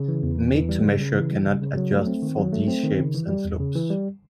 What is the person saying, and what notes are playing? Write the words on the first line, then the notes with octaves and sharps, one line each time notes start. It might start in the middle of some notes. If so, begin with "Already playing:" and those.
Made-to-measure cannot adjust for these shapes and slopes.
Already playing: C#3
E3
E2
E2
E3
G3
C#3
C#3
E3
G3
C#3
C#3
F#3
A3
C4
D#3
F#3
A3
C4
D#3
C#3
E3
G3
E2
C#3
E3
G3